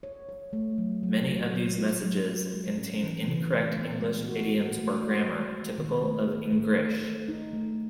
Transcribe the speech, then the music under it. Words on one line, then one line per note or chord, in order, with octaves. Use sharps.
Many of these messages contain incorrect English idioms or grammar typical of Engrish.
C#5
C#5
A3
F#3
F#3
F#4
F#3
E4
F#3
F#4
G#3
C#4
E3
E3
A3
B3
G#3
F#4
F#4
A3
F#4
G#3
G#3
D#3
A3
G#4
A3
D#4
A4
D#4
A3